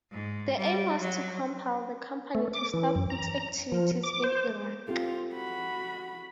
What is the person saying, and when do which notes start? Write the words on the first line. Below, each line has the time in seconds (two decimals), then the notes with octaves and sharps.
The aim was to compel the company to stop its activities in Iraq.
0.11 G#2
0.57 G3
1.00 F#3
2.35 A3
2.53 D6
2.74 E3
2.95 F#2
3.10 A#5
3.72 F3
4.03 D6
4.24 C5
4.88 C4 F4 G4 A4
5.34 F#4 B5